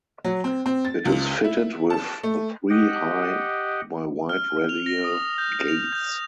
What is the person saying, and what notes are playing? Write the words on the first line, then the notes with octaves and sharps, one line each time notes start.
It is fitted with three high by wide radial gates.
F#3
C4
C4
A6
C#2
E4
A5
A3
G4 D#5 F#5
F6
F7
A#6
D#6
G6
F7
G6